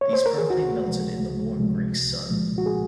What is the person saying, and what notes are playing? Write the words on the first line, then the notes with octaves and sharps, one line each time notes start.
These promptly melted in the warm Greek sun.
C#5
C5
A#4
G#4
C#2 F#4
C3 F3 G#3
C#2
C3 F3 G#3
C2
A#2 F3 G#3
F#4
G#4